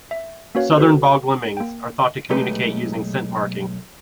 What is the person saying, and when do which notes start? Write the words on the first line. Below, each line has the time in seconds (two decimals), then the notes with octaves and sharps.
Southern bog lemmings are thought to communicate using scent marking.
0.11 E5
0.55 A#3 C#4 F#4 B4 C#5 F5
0.77 F#4 A4 B4 C5
1.57 A#3 G5
2.30 B1 G#3 A3 G4 B4